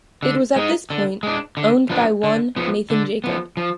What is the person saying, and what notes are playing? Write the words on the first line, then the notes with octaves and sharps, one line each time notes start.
It was at this point owned by one Nathan Jacob.
D3
G#3 D#4
D3
G#3 D4
D3
F3 B3 D4
D3
F3 B3
D3
F3 B3
F3